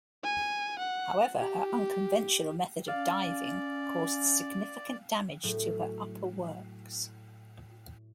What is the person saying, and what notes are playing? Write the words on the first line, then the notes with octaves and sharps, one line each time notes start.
However, her unconventional method of diving caused significant damage to her upper works.
G#5
F#5
G4
C#4 D5 F5
A2 F#3